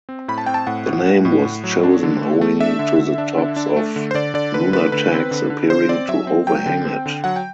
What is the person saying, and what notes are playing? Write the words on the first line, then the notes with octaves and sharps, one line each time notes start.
The name was chosen owing to the tops of nunataks appearing to overhang it.
C4
A2 B5
A5
C4 G5
A5
A2 F#5
A2
A2
A2
A2
F#3
D4
D3
A3
A3
D4 E5
D3
D3
D4
D3
D4
A3
D3
C5
D3 D5
D3 D5
D3 B4
A3 B4
D3 B4
C4
D3
D3
D3 C5
C4 D5
F#3 E5
C4
F#3 G5
D3
C4
D3
F#3 F#5
G5